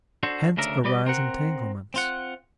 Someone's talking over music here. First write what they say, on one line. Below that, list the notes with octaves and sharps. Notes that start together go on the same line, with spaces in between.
Hence arise entanglements.
D4 F#4 A4 C5
D2 C#3 D4 A#4 E5
G3 B4 D5 D#5
C4 A#4 F#5
C4 F4 F#5